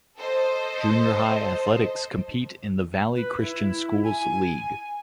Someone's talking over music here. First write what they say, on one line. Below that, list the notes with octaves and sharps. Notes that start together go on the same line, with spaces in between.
Junior high athletics compete in the Valley Christian Schools League.
A4 C5 D#5
B4
E4
G#5